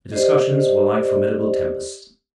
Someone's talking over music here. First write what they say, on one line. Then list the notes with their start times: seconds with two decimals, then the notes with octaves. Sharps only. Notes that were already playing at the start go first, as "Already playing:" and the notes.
The discussions were like formidable tempests.
0.12 G4 C5 D5 D#5